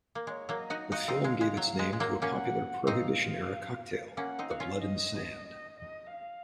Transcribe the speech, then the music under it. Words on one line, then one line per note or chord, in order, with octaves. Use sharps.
The film gave its name to a popular Prohibition-era cocktail, the Blood and Sand.
A#3
G#3 C#5
F#3 A#3
D#5
D#4 F#4
D#4 F#4 F5
C4 D#4
G#3
G#3
F#3
G#3
G#3
F#3 A#3
A#3 C#4 F#5
C4 D#4 F5
A#3 C#4 F#5
C4 D#4
F#4 F5
C#4 F4
D#5
D#5
D#5
F5